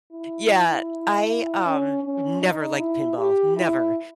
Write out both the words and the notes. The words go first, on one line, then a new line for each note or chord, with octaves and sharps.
Yeah, I, um, never liked pinball, never,
E4
C#4
C#4
D#4
E4
G4
E4